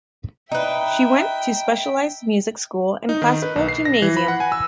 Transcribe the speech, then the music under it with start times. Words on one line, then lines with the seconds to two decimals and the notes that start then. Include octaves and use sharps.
She went to specialized music school and classical gymnasium.
0.52 D#4 B4 E5 G5
3.09 D#4
3.22 D#3
3.42 B4
3.56 B1
3.69 C7
3.85 A#6
4.02 E3
4.17 B5
4.28 F#5
4.40 G#5
4.52 E6